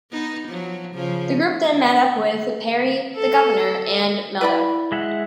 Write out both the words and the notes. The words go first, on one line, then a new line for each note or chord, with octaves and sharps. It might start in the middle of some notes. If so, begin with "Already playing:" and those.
The group then meet up with Peri, the Governor, and Meldak.
B3 D#4
F3 F#3
C#3 F3
A4
E4 B4 D5 B5
G#3 E5 F#5